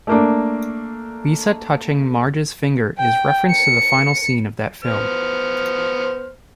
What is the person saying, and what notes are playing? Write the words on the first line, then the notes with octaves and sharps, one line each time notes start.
Lisa touching Marge's finger is reference to the final scene of that film.
A3 A#3 D4
G5
C#7
B3 C5 F6